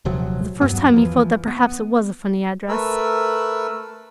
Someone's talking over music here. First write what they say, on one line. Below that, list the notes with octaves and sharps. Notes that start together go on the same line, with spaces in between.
For the first time he felt that perhaps it was a funny address.
D#1 C3 F3 F#3
E2 G2 F#3 B3
E3 F3
B3
A3 A#4 B4 E6